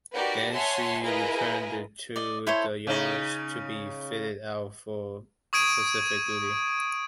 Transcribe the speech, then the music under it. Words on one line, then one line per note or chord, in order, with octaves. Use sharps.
Then, she returned to the yards to be fitted out for Pacific duty.
D#4 F#4 G4 A#4 B4 D5
C#5 E5 F#5 G#5 A5 C6
E4 F4 G#4 A#4 B4 D#5
D5 D#5
E4 A4 C5 C#5
C#3 D#4
C#6 D#6 G#6 D7 D#7